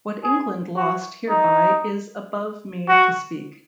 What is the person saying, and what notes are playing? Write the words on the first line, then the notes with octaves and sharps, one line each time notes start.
What England lost hereby is above me to speak.
G#4
F#4
D#4
F#4